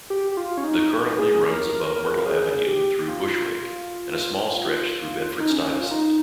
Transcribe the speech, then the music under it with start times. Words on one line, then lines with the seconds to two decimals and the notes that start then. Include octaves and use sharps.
The currently runs above Myrtle Avenue through Bushwick and a small stretch through Bedford-Stuyvesant.
0.10 G4
0.32 G4
0.37 F4
0.57 C#4
0.64 D#4
1.18 G#4
1.45 A#4
1.86 A#4
2.26 G#4
2.67 G4
3.08 F4
5.40 D#4
5.51 C#4
5.81 F4
5.91 D#4